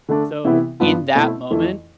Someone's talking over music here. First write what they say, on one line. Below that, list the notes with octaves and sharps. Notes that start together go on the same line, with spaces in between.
So, in that moment,
D3 A3 D4
C3 E3 B3 E4
G2 F3 B3 D4 F4
B2 A3 C4 E4
F2 E3 A3